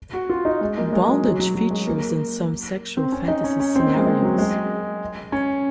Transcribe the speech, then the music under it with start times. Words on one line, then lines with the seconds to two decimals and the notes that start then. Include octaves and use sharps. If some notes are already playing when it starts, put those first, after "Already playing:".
Bondage features in some sexual fantasy scenarios.
0.13 F#4
0.30 F4
0.45 D#4
0.61 G#3
0.77 A#3
0.93 G#3
1.08 F#3
1.24 F#3
1.40 F#3
1.55 F#3
1.71 G#3
1.87 A#3
2.97 C4
3.12 C#4
3.28 D#4
3.44 C#4
3.60 C#4
3.75 C4
3.86 A#3
3.96 G#3
4.07 G#3
4.22 F#3
4.38 G#3
5.32 C#4